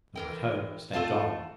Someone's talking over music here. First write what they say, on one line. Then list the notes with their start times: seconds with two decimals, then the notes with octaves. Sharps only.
The White Hope slept on.
0.16 E3 A#4 G5
0.94 A3 C4 F4 F5 A5